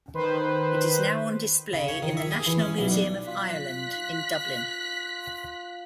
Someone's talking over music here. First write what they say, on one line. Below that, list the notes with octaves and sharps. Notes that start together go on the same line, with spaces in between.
It is now on display in the National Museum of Ireland in Dublin.
D#3 B4 C5
C#3
C#5
D#3
E5
G#4
E3
C#4
B1
D4
F4 F#6 B6